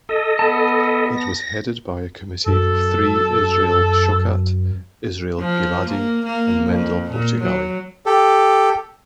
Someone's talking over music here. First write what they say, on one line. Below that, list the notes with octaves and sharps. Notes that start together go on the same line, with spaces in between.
It was headed by a committee of three-Israel Shochat, Israel Giladi, and Mendel Portugali.
A4 D#5
B3 A5
A#6
F#2 A4
F3
A#3
A#3
F2
A#2
F#3
G4 A4